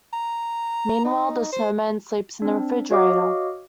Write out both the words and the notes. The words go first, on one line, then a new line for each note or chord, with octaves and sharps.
Meanwhile, the snowman sleeps in the refrigerator.
A#5
D#4
C5
C4 D4
F#4 C#5 D#5 F5 D6